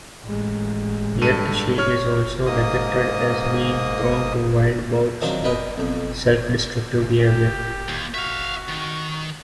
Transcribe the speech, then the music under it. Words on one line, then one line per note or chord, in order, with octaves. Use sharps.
Yet she is also depicted as being prone to wild bouts of self-destructive behavior.
A1 G#3
G2 A4 D#7
C#5 F6
G#2 A#3 D#5 D#6
D#3 F3 F#3 C4 D4 F#4
A#4 B4 D5 D#5 G5 A#5
B1 F2
G4
D#2
F#4 E5 F5
D#3